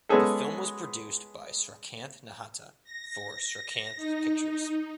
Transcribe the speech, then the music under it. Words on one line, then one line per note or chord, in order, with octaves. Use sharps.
The film was produced by Srikanth Nahata for Srikanth Pictures.
G#3 B3 C#4 G#4 A4
A#6
D#4